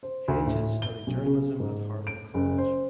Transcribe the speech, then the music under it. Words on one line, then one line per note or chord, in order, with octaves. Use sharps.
Hedges studied journalism at Harlow College.
C5
D2
A2
G7
B1
C#3
G#2
D7
F#1
C5